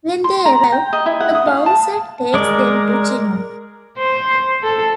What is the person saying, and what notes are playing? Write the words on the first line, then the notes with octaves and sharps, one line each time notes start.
When they arrive, a bouncer takes them to Gino.
C6
A#5
G5
D#5
E4
F#5
D#6
F5
A5
G#3 A#4 D5
C5
A4